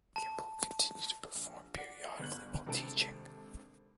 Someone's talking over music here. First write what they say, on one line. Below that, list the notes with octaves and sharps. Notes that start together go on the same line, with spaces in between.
Kimball continued to perform periodically while teaching.
A5
A#1
D5 F#5
G1 B3 F#6 F#7
G#1 C3 D4 A4 A5 D7